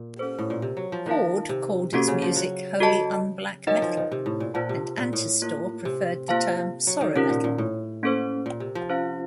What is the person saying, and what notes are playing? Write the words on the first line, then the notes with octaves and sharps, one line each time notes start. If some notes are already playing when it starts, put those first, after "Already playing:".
Horde called its music "holy unblack metal" and Antestor preferred the term "sorrow metal".
Already playing: A#2
C#4 A4 C5
A2
A#2
C3
F#3
F3
D#3 A#3 F4 A#4 F5 A5
C3
C3 A#3 C#4 F#4 A4
C#3
F3
F#3
F#4 A4 D#5 A5
F#3 D#4 A#4 D#5 F#5
F3
D#3
C3
A2
A#2
A#2 F4 C5 F#5 A5
C3
A#2
A2
A#3 F4 A#4 C#5
C3
A#3 F4 C5 F5 A5
F#3
D#3
C3 C#4 F4 A#4
A#2
A#2
A2
A#3 C#4 A4 C5
A#2
C3
F3
C#4 F4 C5 F5